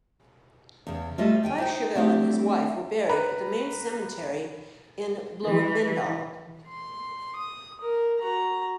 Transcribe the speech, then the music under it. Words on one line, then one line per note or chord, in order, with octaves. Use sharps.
Biesheuvel and his wife were buried at the main cemetery in Bloemendaal.
E2 C#3
G3 A3 F4 D#5 E5
D3 G5 G#5
D#4 C5 G5
A3 C4 D4 E4 G4
B4 A#5 B5
E3
C6
D#6
A#4
F#4 A#5